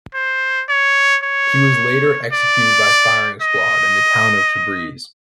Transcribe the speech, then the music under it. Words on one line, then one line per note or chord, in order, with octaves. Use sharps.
He was later executed by firing squad in the town of Tabriz.
C5
C#5
C#5
D5
D#5